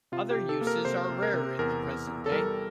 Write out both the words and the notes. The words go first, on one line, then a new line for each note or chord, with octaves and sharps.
Other uses are rarer in the present day.
C3 F4
G4
C3
A4
A#3
A#4
C3 C5
C3
A#4
C3
E2 A#4
E2
E2
A4
G3 A#4